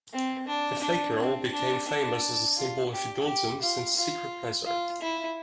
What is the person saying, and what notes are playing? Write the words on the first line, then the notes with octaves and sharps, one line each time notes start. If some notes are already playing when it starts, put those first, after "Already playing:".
The Flake Girl became famous as a symbol of indulgence and secret pleasure.
C4
D4
D4
C4
D4
D4
F4
G4
G4
F4
F4
F4
E4